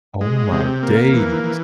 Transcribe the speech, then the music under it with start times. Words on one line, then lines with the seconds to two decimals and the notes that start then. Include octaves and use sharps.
Oh my days.
0.21 G#3
0.52 C3
0.83 A#3
1.13 E3
1.44 E3